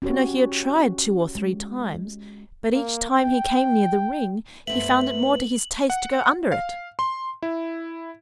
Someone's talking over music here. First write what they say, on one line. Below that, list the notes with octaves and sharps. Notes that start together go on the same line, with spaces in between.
Pinocchio tried two or three times, but each time he came near the ring, he found it more to his taste to go under it.
C#4 F#4 G4 C#5
G#3
A#3
G5
G2 A3 B3 C4 B4 E5 F#7
F#5
F5
C6
E4